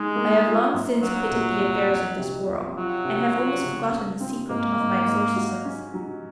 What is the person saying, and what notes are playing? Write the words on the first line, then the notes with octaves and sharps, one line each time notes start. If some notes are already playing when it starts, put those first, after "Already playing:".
I have long since quitted the affairs of this world, and have almost forgotten the secret of my exorcisms.
Already playing: G#3 D#4
A#3
F4
F#2
F#3 A#3
A#2
C2
F2
C3
F2
F#3 F4
C3
F4
C#3
C#3
C4
G#2 A#3
G#2
G#2
F#4
C#4
F#3